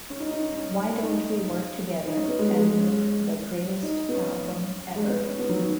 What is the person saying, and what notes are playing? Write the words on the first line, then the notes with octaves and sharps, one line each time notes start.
Why don't we work together and make the greatest album ever?
C#4
D#4
D#4
C#4
C#4
D#4
D#4
C#4
B3
G#3
B3
G#3
G#3
C#4
D#4
B3
C#4
G#3
B3
C#4
B3
F#3
D#3